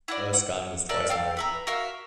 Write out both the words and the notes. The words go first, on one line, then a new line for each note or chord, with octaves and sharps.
Erskine was twice married.
E4 F#4 D5
F#5
A4 A#4 D5 E5
A4 F5 G5
B4 E5 A#5
F#4 A#4 E5 F5